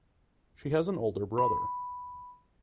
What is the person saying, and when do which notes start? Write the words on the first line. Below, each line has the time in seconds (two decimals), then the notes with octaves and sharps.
She has an older brother.
1.38 B5